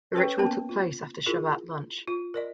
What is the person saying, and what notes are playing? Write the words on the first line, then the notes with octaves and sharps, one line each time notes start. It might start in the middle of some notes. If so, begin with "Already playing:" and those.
The ritual took place after Shabbat lunch.
C#4 A4 B4 C#5 G5 C#6
A#3 B3 C#4 A#4 G5 A5
F4
E4 F4 G#4 A#4
F4
A#4 D5 D#5